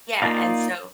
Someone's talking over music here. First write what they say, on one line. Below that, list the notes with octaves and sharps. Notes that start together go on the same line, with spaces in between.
Yeah, and so
A#3 D#4 F4 D5 F5